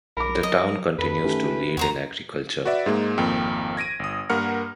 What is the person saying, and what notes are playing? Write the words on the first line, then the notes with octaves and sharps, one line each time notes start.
The town continues to lead in agriculture.
B1 A#4 B5 D6
F#3 D#5
F2 A4 B4 B5
D#3 A3 C#4 G4
E2 F#4 C5 A#5
F#4 B4 D5 E5
G#2 G#3 A#3
G#1 F2 A#3 G5
G#6 A#6 D7 D#7
G1 D#6
G2 A#3 A#4 F#5 F6 C#7